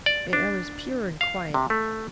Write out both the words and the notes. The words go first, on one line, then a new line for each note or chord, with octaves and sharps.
The air was pure and quiet.
D5
D4
F5
C3
A3